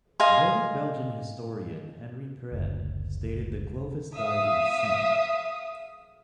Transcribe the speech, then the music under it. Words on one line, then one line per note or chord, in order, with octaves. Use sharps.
Noted Belgian historian Henri Pirenne stated that Clovis died insane.
D#5 F5 G#5 C6
F#1 D2
E5 F5 D#6